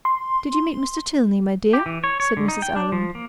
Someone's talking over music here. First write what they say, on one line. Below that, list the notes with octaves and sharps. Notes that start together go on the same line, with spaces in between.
"Did you meet Mr. Tilney, my dear?" said Mrs. Allen.
C6
G4
E3
C#5
C#5
D3
D#4
G5
D4
F3
A#3